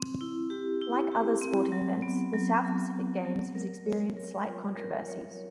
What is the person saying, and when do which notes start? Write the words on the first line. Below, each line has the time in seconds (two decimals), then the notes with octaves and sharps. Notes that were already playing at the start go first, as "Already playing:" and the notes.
Like other sporting events, the South Pacific Games has experienced slight controversies.
Already playing: C4
0.21 E4
0.50 G4
0.81 E4
1.12 G4
1.42 C4
1.72 F#3
2.02 B3
2.34 F#3
2.65 F#3
2.95 F#3
3.25 F#3
3.55 A#4
3.86 C#5
4.17 A#4
4.46 F4
4.77 A#4
5.08 C#5